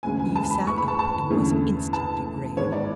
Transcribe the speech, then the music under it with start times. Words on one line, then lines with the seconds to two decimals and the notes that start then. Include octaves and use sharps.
Eve sat up and was instantly grave.
0.03 E1 D2 D3 G#3 C#4 G#5
0.19 G#5
0.36 A5
0.51 B5
0.67 C#6
0.78 B5
0.88 A5
0.99 A5
1.30 E2 D3 A3 C#4
1.93 A5
2.57 G#1 G#2 G#3 B3 C#5
2.72 D5